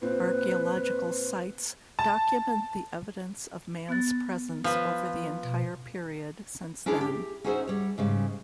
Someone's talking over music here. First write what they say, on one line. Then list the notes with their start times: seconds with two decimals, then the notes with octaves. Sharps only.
Archeological sites document the evidence of man's presence over the entire period since then.
0.02 A#2 C4 B4
1.99 A5
3.89 B3 F#6 A6
4.64 F3 B4
5.43 B2
6.86 C#4 D4 E4 G#4 C#5
7.01 G4
7.44 C#4 D#4 F#4 G#4 C5 E5
7.67 G3 C#5
7.98 G#2 C#3 G3